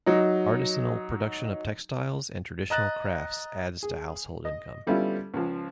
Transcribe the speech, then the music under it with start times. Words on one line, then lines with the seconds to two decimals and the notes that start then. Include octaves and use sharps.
Artisanal production of textiles and traditional crafts adds to household income.
0.06 F#3 D#4
2.70 D#5 A#5 F#6 A6
3.83 G#4
4.45 D#5
4.87 D3 G3 B3 C#4 E4 F4
5.34 C#2 F3